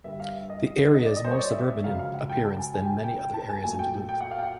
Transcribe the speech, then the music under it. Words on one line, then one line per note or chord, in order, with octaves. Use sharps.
The area is more suburban in appearance than many other areas in Duluth.
G2 D3 G3 E5
F5
E5
D#5
D#5
D5
D#5
C5
C#5
D5
E5
D#5
E5
F#2 C#3 F3 G#3 F5
F5
F#5
G5
A5
G#5
G#5
G5
G#5
G5
G5
A5
G#5
A#2 F#3 A3 G#5
G5
G5
F#5
F5
G5
F#5